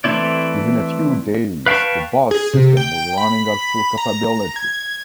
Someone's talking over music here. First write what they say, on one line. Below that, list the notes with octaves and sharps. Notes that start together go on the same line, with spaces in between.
Within a few days, the bus system was running at full capability.
E3 A3 C4 E4 D5
B4 F5 G5 A5 C#6
G#4
C3
G5
B5
A#5
G#6